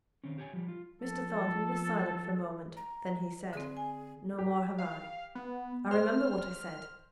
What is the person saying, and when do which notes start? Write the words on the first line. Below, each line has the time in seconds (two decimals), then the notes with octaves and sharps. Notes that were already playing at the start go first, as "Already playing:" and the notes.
Mr. Thornton was silent for a moment; then he said: 'No more have I. I remember what I said.
0.24 D#3 C4 C#4
0.38 G4 C#5 G#5
0.53 F3 G3
0.68 F4
1.03 F3 A4
2.77 A#5
3.53 D3 C4 G#4
3.77 G#5
4.39 G4
4.78 F5
5.35 B3
5.91 C5 F6